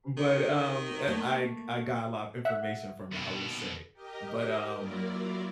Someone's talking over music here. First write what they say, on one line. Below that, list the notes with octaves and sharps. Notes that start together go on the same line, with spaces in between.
but, um, eh I g I got a lot of information from it, I will say. But, um
D#3
A3 A#3
E5 F#5 F#6
D#2 B2
G4 A#4 D#5
F#3 A#3 E4 F4 A#4 D5